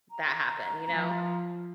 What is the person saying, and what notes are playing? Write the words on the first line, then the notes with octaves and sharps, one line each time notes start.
that happen, you know?
A#5
F3